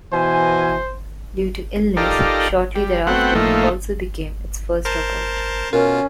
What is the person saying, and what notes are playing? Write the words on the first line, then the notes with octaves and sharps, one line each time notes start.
Due to illness shortly thereafter, he also became its first dropout.
B2 E3 C5 G#5
D#4 F4 G4 A4 A#4 D5
G3
A3 B3 C4 F#4 F#5 G5
A2 F3 A3 A#3 D#4
A#4 C5 A5
B2 C#4 F4 A#4